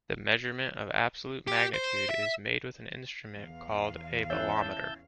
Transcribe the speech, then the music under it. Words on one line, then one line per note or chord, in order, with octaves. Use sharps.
The measurement of absolute magnitude is made with an instrument called a bolometer.
G4
C5
E5
E2 F5
C#4 E4 E5 A5 E6 F#6 G6